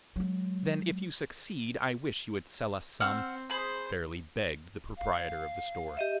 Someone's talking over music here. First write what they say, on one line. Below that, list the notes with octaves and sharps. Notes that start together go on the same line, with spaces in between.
"Then if you succeed I wish you would sell us some," fairly begged the proprietor of the store.
F#3 G#3
C4 F#5 E6 F6
G#4 C5 B5
F5
G4 D#5 E5